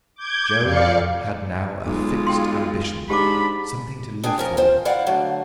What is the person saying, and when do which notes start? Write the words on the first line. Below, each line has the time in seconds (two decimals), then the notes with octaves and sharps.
Joe had now a fixed ambition--something to live for.
0.15 D6 G6 G#6
0.62 F2 D5 F5 C#7
1.86 B1 G#3 F4
2.26 G5 C6
3.10 G#2 D4 G4 A5 B5 D6
4.24 D4 G#4 G5 G#5
4.38 F3 C#4 A#4
4.57 C4 F4 C5
4.85 E4 D5 F5 F#5
5.06 D3 F#3 A3